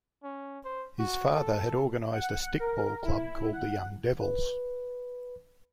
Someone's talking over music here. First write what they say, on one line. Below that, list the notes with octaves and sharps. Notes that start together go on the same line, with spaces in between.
His father had organized a stickball club called the Young Devils.
C#4
C5
F#4
A4
F#5
A#4
E4
F#5
B4